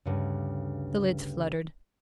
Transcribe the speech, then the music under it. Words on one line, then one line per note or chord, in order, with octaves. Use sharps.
The lids fluttered.
D2 G2 C#3